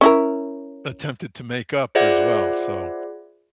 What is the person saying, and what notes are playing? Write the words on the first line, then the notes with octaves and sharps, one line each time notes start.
attempted to make up as well, so
C#4 E4 A#4
F4 G#4 C5 D5 E5 F#5